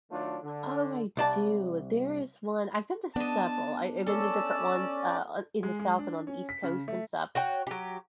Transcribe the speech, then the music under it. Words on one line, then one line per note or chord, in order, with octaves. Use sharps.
Oh, I do. There is one I've been to several. I I've been to different ones, uh, o in the South and on the East Coast and stuff,
D#3 F#3 A3 D4 F4
D3
C2 D5 A5
B3 D4 D#5 A5
C#4 A4 D5 E6
G#3
G#3
D4
C#4
B6
C#3
A3
F#4 C#5 G5
F#3 G4